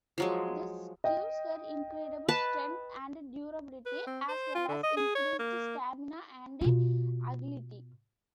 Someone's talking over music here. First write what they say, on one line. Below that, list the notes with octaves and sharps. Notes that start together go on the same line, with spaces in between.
This gives her incredible strength and durability as well as increased stamina and agility.
F3 F#3 G#3
D#5 G5
B4 A5
B4
C4
C5
F4
D3
D#5
G#4
C#5
A#3
B2 F4